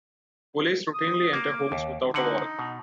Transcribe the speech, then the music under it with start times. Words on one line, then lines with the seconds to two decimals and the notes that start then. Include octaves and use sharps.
Police routinely enter homes without a warrant.
0.94 D#6
1.33 A#3 D6
1.72 D#2
2.14 D3 D#4 F#5
2.59 B2